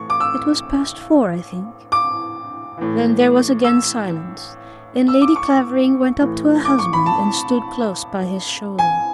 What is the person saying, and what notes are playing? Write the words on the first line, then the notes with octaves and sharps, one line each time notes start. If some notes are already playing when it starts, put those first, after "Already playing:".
"It was past four, I think." Then there was again silence, and Lady Clavering went up to her husband and stood close by his shoulder.
Already playing: A2 E3 C#6
D6
E6
D6
A2 E3
E6
E6
D6
C#6
A2 E3
D6
C#6
B5
A5
G#5